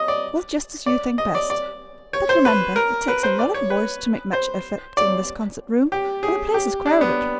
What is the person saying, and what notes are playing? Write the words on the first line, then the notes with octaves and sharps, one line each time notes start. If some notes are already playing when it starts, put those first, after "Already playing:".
Well, just as you think best. But remember, it takes a lot of voice to make much effect in this concert-room, and the place is crowded.
Already playing: D#5
D5
D5
D#5
D5
D5
C#5
C5
B4
A#4
B4
C5
D5
C#5
B4
C5
D5
G4
G#4
G4
D4
B3